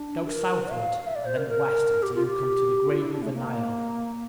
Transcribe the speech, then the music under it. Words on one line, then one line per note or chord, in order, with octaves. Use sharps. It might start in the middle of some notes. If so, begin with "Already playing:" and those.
Go southward and then west until you come to the great river Nile.
Already playing: D4
A#4
F5
E5
D5
C5
A#4
A#4
G4
F4
G4
F4
E4
D4
A3
A#3